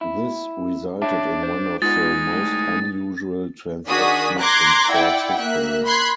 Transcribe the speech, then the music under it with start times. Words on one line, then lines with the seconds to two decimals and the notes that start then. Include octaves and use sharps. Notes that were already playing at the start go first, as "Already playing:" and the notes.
This resulted in one of the most unusual transactions in sports history.
0.01 E4
1.02 D4 C#5 E5 A5
1.43 C5
1.82 G#3 B3 D#4 F4 A6
2.32 D2 A2
3.88 D#3 D4 F#4 G#4 D#6 B6
4.39 A#5 C6 D6 F#6 G#6 A#6
4.92 E4 D5 F#5 G5
5.39 A#3 E5 F#6
5.85 B5 C6 F#6 G#6 C7